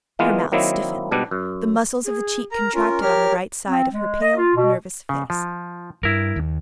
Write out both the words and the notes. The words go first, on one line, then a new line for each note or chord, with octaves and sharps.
Her mouth stiffened, the muscles of the cheek contracted on the right side of her pale, nervous face.
E3 G#3 A#3 B3 F4
D#3 F#3 A#3 C4 E4 D#5
G#2 B2 G3 D4
F#2
G#4
A#4 A#5
C#4 F4 A#4
G4 A#4 C#5 F6
C4
G#3
D#5
F4
B2
C#3
F3
G2 E4 A#4
D#2